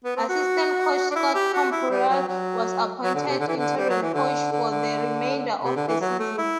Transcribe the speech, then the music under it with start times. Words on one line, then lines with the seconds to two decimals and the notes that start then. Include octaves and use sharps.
Assistant coach Scott Camporeale was appointed interim coach for the remainder of the season.
0.04 B3
0.16 C4
0.29 F#4
1.10 D4
1.16 E4
1.34 G4
1.53 F#4
1.72 E4
1.90 G3
2.09 F#3
2.28 F#3
3.03 F#3
3.15 D3
3.27 C3
3.40 D3
3.48 E3
3.57 D3
3.77 G3
3.89 F#3
4.02 E3
4.14 D3
4.52 D3
4.71 D3
5.64 C3
5.76 D3
5.88 E3
6.01 F#3
6.19 A3
6.38 E4